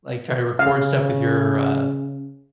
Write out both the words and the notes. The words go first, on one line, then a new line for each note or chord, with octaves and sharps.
like try to record stuff with your, uh,
C#3 F5